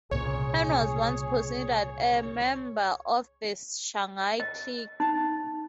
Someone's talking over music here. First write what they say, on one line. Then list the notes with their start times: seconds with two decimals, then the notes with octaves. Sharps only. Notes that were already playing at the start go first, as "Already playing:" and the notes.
Han was once considered a member of the Shanghai clique.
0.11 C2 A#2 C#3 G#4 C#5
4.40 D#5
5.00 D#4